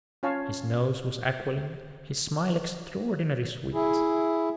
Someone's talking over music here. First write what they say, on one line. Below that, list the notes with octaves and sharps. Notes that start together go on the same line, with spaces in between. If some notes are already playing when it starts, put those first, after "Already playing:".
His nose was aquiline, his smile extraordinary sweet.
C#4 F4 C#5 F5 G#5 A5
E4 G#4